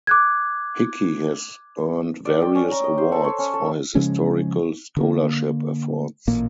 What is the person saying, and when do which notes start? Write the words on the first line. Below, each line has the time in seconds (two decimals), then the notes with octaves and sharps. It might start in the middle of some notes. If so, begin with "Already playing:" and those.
Hickey has earned various awards for his historical scholarship efforts.
0.07 D6 F#6 G#6
2.25 D5
2.42 G5
2.55 C#4
2.72 A#5
2.84 D#5
2.98 C5
3.12 A4
3.24 C#5
3.39 C#4
3.54 A4
3.95 C#3 F3 G#3 C#4
4.97 D3 A#3
6.27 A1 A#2 A#3